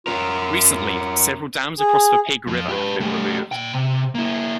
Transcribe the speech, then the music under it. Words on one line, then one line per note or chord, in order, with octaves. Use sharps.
Recently, several dams across the Pigg River have been removed.
C#4 F4 A#4
G#4
F2 F3
G4 B4
A3 G4
A#2 G5
C3
A#3 E4